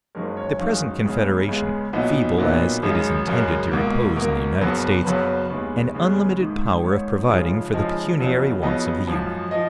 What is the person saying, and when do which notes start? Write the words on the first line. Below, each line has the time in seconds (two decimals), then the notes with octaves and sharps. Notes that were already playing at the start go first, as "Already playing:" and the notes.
The present Confederation, feeble as it is intended to repose in the United States, an unlimited power of providing for the pecuniary wants of the Union.
0.15 F#1 F#2 D#3 G#3 C#4 A#4
0.37 C#5
0.59 F#1 F#2 D#3 G#3 C#4 F5
1.05 C#2 C#3 G#3 B3
1.49 C#2 C#3 G#3 B3
1.93 B1 A#2 F#3 B3 D#4
2.38 B1 A#2 F#3 B3 D#4 A#4
2.83 G#1 F#2 C#3 G#3
3.27 G#1 F#2 C#3 G#3 A#4
3.71 C#2 B2 A#3
4.16 C#2 B2 A#3 A#4
4.61 F#1 F#2 C#3 F#3 B3
5.05 F#1 F#2 C#3 F#3 B3 B4
5.50 D#2 C#3 G#3 B3
5.95 D#2 C#3 G#3 B3
6.39 G#1 G#2 D#3
6.83 G#1 G#2 D#3 C#5
7.29 F1 F2 C#3 F3 G#3
7.73 F1 F2 C#3 F3 G#3 D#5
8.17 F2 C#3 F#3 B3 D#4
8.62 F2 C#3 F#3 B3 D#4 D#5
9.07 G#1 F#2 F3
9.51 F3 D#5